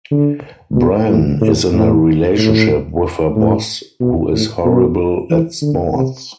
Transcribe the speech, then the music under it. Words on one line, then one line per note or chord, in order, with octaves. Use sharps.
Bran is in a relationship with her boss, who is horrible at sports.
D3
B2
A2
A2
A2
A2
A2
B2
A2
B2
E3
D3
C3